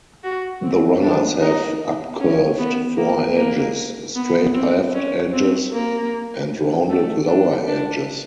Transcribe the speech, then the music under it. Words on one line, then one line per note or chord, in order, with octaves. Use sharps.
The runners have up-curved fore edges, straight aft edges, and rounded lower edges.
F#4
C4
D4
D#4
C#4
B3
A#3
A#3
B3
C4
C#4
C4
A#3
A3
D4
D4